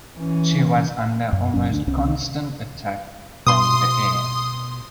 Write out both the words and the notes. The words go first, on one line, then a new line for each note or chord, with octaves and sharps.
She was under almost constant attack from the air.
E3 C#4
F#2
F#1 F#2 C#4
D2 D4
C2 C3 C#4
B2 C6 D#6